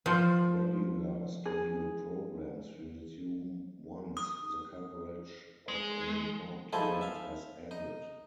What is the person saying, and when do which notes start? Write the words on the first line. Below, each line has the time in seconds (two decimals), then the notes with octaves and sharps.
Regular scheduled programs resume once the coverage of an important event has ended.
0.06 F3 F4 C5
1.46 G#4
4.17 D#6
5.69 G#3
6.73 F3 D#4 E4 G#4 A4
7.01 E5 F5
7.71 D#4